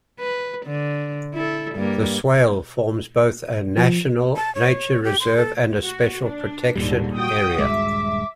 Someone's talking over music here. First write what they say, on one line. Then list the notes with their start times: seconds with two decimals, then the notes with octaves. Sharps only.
The Swale forms both a National Nature Reserve and a Special Protection Area.
0.20 B4
0.66 D3
1.34 E4 A4
1.75 G2 A#3
3.78 F3
4.36 A5
4.55 C#5
5.04 G4
5.20 C6
5.36 A4
5.84 F#4
6.24 D4
6.76 G#1 D#2 A#2 D3 G3
7.17 F#4 G5 D#6
7.59 D#1 G2 G#3 E5 D6